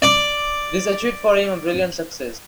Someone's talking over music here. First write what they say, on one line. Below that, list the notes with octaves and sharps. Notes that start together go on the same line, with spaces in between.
These achieved for him a brilliant success.
D5 D6